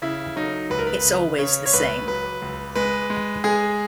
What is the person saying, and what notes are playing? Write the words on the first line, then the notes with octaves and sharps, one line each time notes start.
It's always the same.
C#3 E4
F#3 D#4
C#2 B4
A#4
B4
C#3
C#3 C#5
C#5
C#2 B4
F#3 B4
C#2
G#3 B4
G#3
G#3 G#4